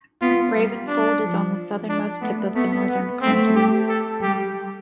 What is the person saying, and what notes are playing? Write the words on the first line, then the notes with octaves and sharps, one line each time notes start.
Ravenshold is on the southernmost tip of the northern continent.
B3 F4
G3
D4
F3
D4
A3 B3
A3 B3
B3
A3 C4
G4
A4
G3 G4